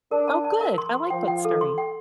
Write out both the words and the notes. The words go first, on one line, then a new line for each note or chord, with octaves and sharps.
Oh, good. I like that story.
D4 A#4
A5
A5
A#4
C6
C6
F3 G5
G5
A4
C6
G5